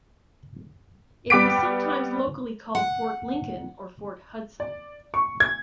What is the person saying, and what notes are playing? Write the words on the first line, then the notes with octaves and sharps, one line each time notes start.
It was sometimes locally called Fort Lincoln or Fort Hudson.
G3 B3 G5 D6 B6 D7
F#5
D5
C#6
G#6